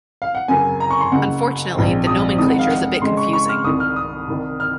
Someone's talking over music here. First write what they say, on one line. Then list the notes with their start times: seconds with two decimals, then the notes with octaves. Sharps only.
Unfortunately, the nomenclature is a bit confusing.
0.22 F5
0.35 F#5
0.48 F#2 C#3 F#3 A#3 G#5
0.80 A#5
0.91 C#6
1.01 C6
1.12 F#1 F#2 C#3 F#5
1.75 A#1 G#2 F3 C4
2.07 D#6
2.38 F1 F2 C3 D#3 G#3 D#6
2.49 F#5
2.59 F5
2.69 F#5
3.01 F1 F2 C#3 G#3 C6
3.17 C#6
3.33 C#6
3.49 F6
3.64 C2 C3 D#3 A#3 D#6
3.80 F6
3.96 D#6
4.28 C2 C3 D#3
4.60 F6